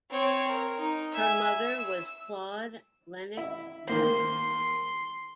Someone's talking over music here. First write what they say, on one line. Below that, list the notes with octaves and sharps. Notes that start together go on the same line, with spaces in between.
Her mother was Claude Lennox Miller.
C4 C#5
A#4
D#4
E5 G#5
E6
E4 E5
D#3 A#3 C5 C6